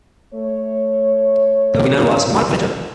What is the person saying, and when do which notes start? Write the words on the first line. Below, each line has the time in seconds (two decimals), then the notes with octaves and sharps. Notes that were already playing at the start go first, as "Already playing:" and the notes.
The winner was Mark Fletcher.
0.33 A3 C#5